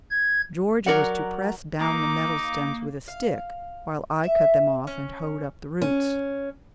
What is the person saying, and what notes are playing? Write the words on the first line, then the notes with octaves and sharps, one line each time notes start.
Georgia was to press down the nettle stems with a stick, while I cut them off and hoed up the roots.
G#6
F#3 A#4 D5 F#5
A#3 D#4 A#5 D6
F5
E5
C#4
C#4